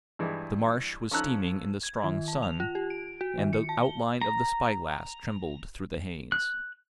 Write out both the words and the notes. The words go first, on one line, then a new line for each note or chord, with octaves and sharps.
The marsh was steaming in the strong sun, and the outline of the Spy-glass trembled through the haze.
G2 E3 G#3
F3 C#4 A4 A#5 E6 F#6
G#6
D#3
A5
F7
F4
G4
D7
F#4
D#3
C#7
A5
G7
A#5
F#6